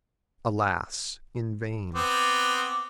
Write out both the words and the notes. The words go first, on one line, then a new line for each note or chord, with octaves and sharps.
Alas! in vain.
B3 C4 D6